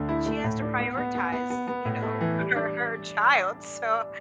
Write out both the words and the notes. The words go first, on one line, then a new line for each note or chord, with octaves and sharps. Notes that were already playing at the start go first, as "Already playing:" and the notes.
And she has to prioritize, you know, her her child, so
Already playing: D2 D3 A3
E4
A3
A2
D4
B3
B3
B3
B3
B3
B3
A2
A3
E3
G3
D4